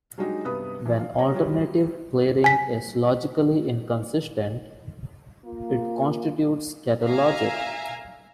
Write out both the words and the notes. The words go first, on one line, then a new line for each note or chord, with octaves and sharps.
When alternative pleading is logically inconsistent, it constitutes kettle logic.
F#3 G#3 D4 D#4 F#4 G4
G2 C3 G3 B3 B4 D#6
E3 F3
F5
C#5 A#5 A#6
F#3 G3 F4 G4 C#5 D#5
G#5 B6
A#3 F4
E5 F5 G#5 A#5